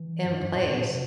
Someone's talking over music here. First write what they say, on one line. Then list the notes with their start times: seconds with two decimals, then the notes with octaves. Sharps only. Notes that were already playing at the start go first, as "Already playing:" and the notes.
in place
Already playing: E3
0.24 G2
0.40 F2
0.54 A2
0.70 A#2
0.86 C3